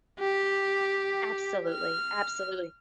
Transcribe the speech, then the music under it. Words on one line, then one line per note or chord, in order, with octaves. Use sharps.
Absolutely, absolutely,
G4
F6